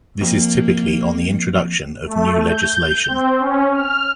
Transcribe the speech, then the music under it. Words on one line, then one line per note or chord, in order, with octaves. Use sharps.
This is typically on the introduction of new legislation.
F2 A#3
A3
G6
C4
C#4
F6